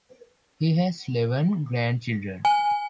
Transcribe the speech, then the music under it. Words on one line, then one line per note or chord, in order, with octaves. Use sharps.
He has eleven grandchildren.
G#5